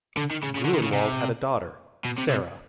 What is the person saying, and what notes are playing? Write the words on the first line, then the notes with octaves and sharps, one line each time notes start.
Gruenwald had a daughter, Sara.
D3
D#3
C#3
C#3
D3
D#3
C#3
C3
B2
C3
C3